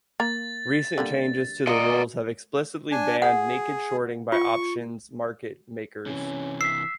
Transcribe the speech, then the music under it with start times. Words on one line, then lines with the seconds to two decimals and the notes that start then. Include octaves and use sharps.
Recent changes to the rules have explicitly banned naked shorting by options market makers.
0.20 A#3 A#5 A6
0.98 D3 G3 A#3
1.67 A#2 F4 A#4 D5 D#5
2.91 D4 G#5
3.22 G#4 F#5
4.32 F4 C#6
6.06 C3 E3 C#4
6.61 E6 B6 C7